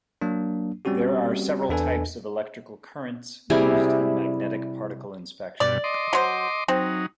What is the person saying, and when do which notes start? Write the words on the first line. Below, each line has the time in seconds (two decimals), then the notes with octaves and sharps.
There are several types of electrical currents used in magnetic particle inspection.
0.21 F#3 A#3 D4
0.85 G3 C4 C#4 F#4 G4
1.69 E2 D4 A4 B4 G#5
3.50 C3 G3 E4 G#4
5.60 G2 B2 D5
5.84 D#5 C6 D6
6.13 F#3 C5
6.68 F#3 C4 D#4